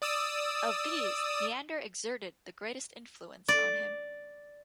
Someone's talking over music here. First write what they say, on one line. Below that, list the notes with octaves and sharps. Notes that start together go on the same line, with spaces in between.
Of these, Neander exerted the greatest influence on him.
D5 D#6 E6
D5